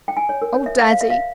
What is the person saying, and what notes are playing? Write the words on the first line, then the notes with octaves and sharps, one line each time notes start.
Oh, daddy!
G5
G#5
C#5
A#4
C#5
E5
F5
F5
E5
F5